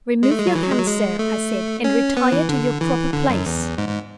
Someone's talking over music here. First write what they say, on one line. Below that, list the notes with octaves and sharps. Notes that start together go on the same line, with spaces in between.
"Remove your hands, sir," I said, "and retire to your proper place."
G#3
A3
G#3
F#3
E3
F#3
G#3
F#3
G#3
A3
C#4
B3
E3
D3
E3
D3
F#2
E2
G#2
G#2